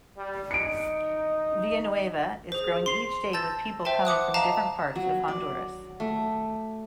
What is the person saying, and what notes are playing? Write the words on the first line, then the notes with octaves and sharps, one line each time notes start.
Villanueva is growing each day with people coming from different parts of Honduras.
G3
D#4 C#7 D7
G#4 C5
C6 C7 F7
A5 E6 G6 A6 A#6
C5 E5 G5 A5 C6
F#5 D6 D#6 F#6
D#5 F5 A5 A#5
F#3
D5
A3